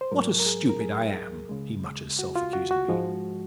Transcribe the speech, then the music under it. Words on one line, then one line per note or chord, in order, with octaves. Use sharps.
"What a stupid I am!" he mutters self-accusingly.
C5
G#2 F#3 A#4
A#4
G#4
A#4
G#4
C#2 C#3 G#3
F#4
F4
F#4
F#4
G#2 F3 G#3